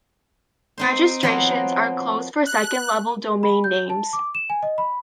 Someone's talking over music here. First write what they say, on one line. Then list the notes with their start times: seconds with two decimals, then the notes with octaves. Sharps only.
Registrations are closed for second-level domain names.
0.78 C4 D#4 C5
1.23 F3 F#3 B3 C4
2.46 F#6
3.43 B5
3.64 G6
3.90 A5
4.13 D6
4.35 E7
4.50 G#5
4.63 D#5
4.78 B5